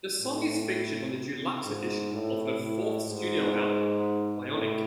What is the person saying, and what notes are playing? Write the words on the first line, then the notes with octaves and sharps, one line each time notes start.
The song is featured on the deluxe edition of her fourth studio album "Bionic".
A2
G#2
A2
A2
G#2
A2